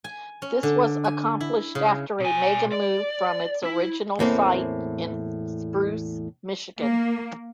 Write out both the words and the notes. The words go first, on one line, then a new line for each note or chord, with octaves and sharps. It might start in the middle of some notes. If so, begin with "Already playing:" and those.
This was accomplished after a "mega-move" from its original site in Spruce, Michigan.
G#5
C#4
D3
G#5
E4
C#3
B2 G#5
D5
E4
E2 A2 A#3 C4
A#3